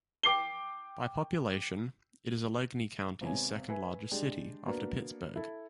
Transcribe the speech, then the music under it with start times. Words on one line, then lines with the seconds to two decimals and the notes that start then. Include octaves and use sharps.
By population, it is Allegheny County's second-largest city, after Pittsburgh.
0.23 G5 D6 C7 G7
3.21 G#1 C3 B3 C#5 G#5
3.69 B4 E5 G#5
4.11 G#3 D4 G4
4.65 A#3 B3 D4 F#4 A#4 B4
5.36 E4 A4